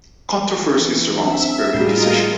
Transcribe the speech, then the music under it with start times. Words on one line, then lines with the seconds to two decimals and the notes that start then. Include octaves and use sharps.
Controversy surrounds early decision.
0.56 E3
1.23 C4 D4 E5
1.74 A2 G3 F4 F#4 G#4 A#4 D#5